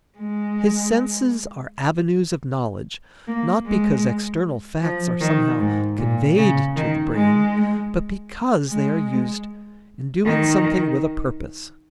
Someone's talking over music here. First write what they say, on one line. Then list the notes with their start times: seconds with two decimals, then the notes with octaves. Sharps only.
His senses are avenues of knowledge not because external facts are somehow "conveyed" to the brain, but because they are used in doing something with a purpose.
0.18 G#3
3.28 A#3
3.66 G#3
4.82 F3
5.21 D#3
5.60 G#2
5.99 A#2
6.37 C#3
6.76 D#3
7.15 G#3
8.70 G#3
10.25 D#3